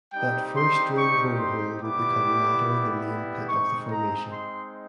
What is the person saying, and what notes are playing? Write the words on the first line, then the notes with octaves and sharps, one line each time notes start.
That first drilled borehole would become latter the main pit of the Formation.
G3 C4 D#4 G4 G5
C6
C#6
C6
G3 B3 E4 G4 D6
G#3 C4 D#4 C#6
A#5
C6